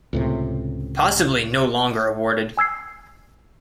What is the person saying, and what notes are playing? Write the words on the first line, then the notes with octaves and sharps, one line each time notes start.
Possibly no longer awarded.
C#2 A2 C3
G#5 E6 G#6 C7